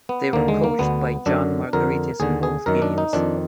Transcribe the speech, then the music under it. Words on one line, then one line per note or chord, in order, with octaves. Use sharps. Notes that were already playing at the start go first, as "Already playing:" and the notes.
They were coached by John Margaritis in both games.
B3
D#2 D3 A#3
G#3
A#3
D2 D3 B3
F#2 D3 D4
F2 D3 A#4
D#2 D3 G#4
G#4
F#2 D#3 A#4
D4
D#4
F2 D#3 D4